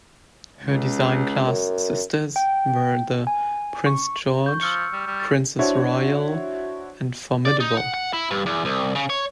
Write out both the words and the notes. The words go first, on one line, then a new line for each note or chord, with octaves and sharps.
Her design class sisters were the "Prince George", "Princess Royal", and "Formidable".
C#2
F#2
G5
G#5
C#6
C#6 G6
F3 E6 F6 C#7
G3
G3
A6
D4 E4 F#4 C5 C#5
D5
D#4
F#5
F#5
E4
G2
E2
C2
C#3
C#5